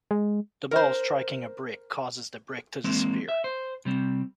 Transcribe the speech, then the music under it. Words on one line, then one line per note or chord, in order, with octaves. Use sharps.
The ball striking a brick causes the brick to disappear.
G#3
A#4 C5
E3 G#3 A#3 C4
E5
C5
C3 G3 C4